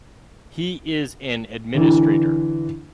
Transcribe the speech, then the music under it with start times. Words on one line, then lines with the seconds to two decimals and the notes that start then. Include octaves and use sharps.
He is an administrator.
1.74 D3 E3